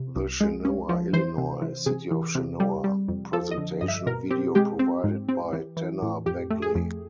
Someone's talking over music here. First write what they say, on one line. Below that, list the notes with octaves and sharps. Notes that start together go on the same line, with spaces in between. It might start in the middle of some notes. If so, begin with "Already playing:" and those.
The Chenoa Illinois, City of Chenoa Presentation video Provided by Tanner Bagley.
Already playing: C3
C2
G#3
C#4
F3
E3 C5
C3
E3
C3 G#4
E3
C3
G3
G3
F2
F3 A4
D#5
D3
G2 D#5
E5
B2 A#4
C4 G4
G#3 G4
C4
G#2
C4
E3
E3
A2
F2 G4
A3
G#4
F2